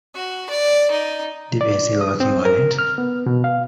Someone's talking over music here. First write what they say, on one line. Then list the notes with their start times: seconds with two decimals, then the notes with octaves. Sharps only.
Divya is still working on it.
0.15 F#4
0.49 D5
0.91 D#4
1.61 D5
2.01 D#6
2.20 C4
2.45 A#4
2.79 F6
2.98 B3
3.26 B2
3.44 F5